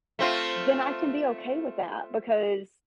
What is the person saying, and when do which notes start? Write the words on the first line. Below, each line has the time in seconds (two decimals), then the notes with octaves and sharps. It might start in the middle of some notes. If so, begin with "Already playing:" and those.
then I can be okay with that because,
0.19 A3 C4 F4